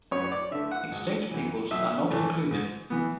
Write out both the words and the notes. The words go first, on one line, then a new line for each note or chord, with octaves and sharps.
Extinct peoples are not included.
F#2 C#5
C#5
D5
D3 A3 E5
F#5
G#1
F#2 E3
B1 E5
A2 E3 A3
G#2
E3 B3